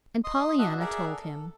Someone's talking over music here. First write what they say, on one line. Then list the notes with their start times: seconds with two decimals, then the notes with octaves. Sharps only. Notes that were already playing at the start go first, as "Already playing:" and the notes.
And Pollyanna told him.
0.24 D#5 C6 D#6
0.59 D4 F#4 D#5 E5 F#5
0.80 G#4 A#4 D5 E5 F#5
1.13 A4